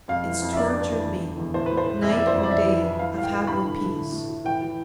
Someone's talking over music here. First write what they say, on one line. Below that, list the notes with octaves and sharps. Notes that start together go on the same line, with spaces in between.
It's tortured me--night and day--I've had no peace.
F2 F5
E3
F2
E5
G2 D5
G2
E3
E2
D3
E2
A2 C5
A2 B4
C5
E3
F2 E5
D5
E3 E5
C5
F2
D5
E3 E5
E3
E3
E3 F5
A2 F5
G5
E3
G2 B5
D3
D3
A2
A2
A2
E3 G5
E3